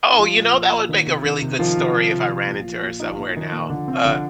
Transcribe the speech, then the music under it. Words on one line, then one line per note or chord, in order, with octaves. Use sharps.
oh, you know, that would make a really good story if I ran into her somewhere now, uh
D#4
F3 F4
A#2
F3
A#2
D#3
C3
D#3
C3
D#3 F3 F4
C3
D#3
C3
F3
A#2
F3
A#2
F3 D#4
F4
A#2 D#4
F4
D#3 F3 D#4
A#2
D3 F3 D4
C3 C4
D3 F3 D4